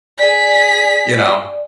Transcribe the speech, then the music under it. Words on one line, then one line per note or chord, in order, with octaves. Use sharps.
you know?"
G#4 D5 B6